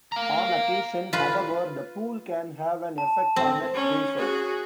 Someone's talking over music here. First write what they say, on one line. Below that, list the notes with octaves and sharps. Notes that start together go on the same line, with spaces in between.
On occasion, however, the pool can have an effect on a geyser.
F5 A#5
F4 B4
A5
C4
C#4
F#4 G#4